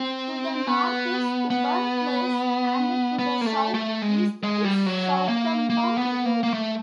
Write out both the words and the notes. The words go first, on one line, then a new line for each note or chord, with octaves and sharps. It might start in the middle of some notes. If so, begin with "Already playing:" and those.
To the north is Woburn Place and to the south-east is Southampton Row.
Already playing: C4
B3
B3
B3
A#3
A3
A3
G#3
G#3
G3
F#3
A#3
A#3
B3
A#3
A#3
A3